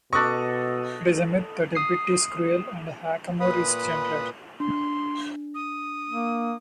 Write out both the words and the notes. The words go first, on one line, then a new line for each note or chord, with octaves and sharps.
It is a myth that a bit is cruel and a hackamore is gentler.
B2 A4 D#5 C#6 D6 F#6
D#6 C7
A#2 B4 B5 D#6
D4 C6
D#6
A#3